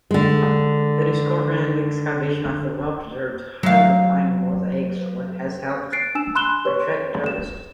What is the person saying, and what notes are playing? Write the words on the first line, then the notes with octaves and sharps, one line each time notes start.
The discovery and excavation of the well-preserved, highly refined mosaics has helped attract tourists.
D3 G#3
F#3 F5
F#6 A6 C7 D7
D4 G#5 E6 E7
B5 C6 F#6 E7 G7
G4 B4 C#5 C6 C#6
E7